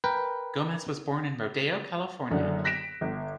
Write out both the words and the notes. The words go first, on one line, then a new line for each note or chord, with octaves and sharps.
Gomez was born in Rodeo, California.
A#4 B4 G5
F#1 F#2 D3
F#6 A#6 B6 D7 E7
G1